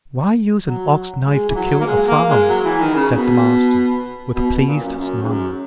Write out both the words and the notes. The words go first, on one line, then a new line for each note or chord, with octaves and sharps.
Why use an ox-knife to kill a fowl? said the Master, with a pleased smile.
F#3
G#3
E3
F#3
A#3
G#3
A#3
G#3
F#3
E3
D#3
C#3
B2
B2
B2
A#2
F#2
F#2
G#2
F#2